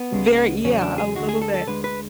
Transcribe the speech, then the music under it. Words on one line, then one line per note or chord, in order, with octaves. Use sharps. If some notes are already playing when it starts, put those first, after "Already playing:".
Very yeah, a little bit.
Already playing: B3
C#2 C#3 G#3
E2 C#3 F#3 A3 C#4
D4
G#4
D2 D3 G#3 F#4
G#4
A4
A4
D2 D3 G#3 B4
B4